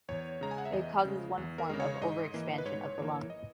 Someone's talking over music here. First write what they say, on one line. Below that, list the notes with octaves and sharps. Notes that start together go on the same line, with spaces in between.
It causes one form of "overexpansion" of the lung.
E2 C#5
C#3 G#3 A#5
G#5
F#5
E5
E2 D#5
C#3 G#3
E2
A#4
C#3 G#3
C#5
G#2 D#5
E3 A#3
B4
G#2 C#5
E3 A#3
D#5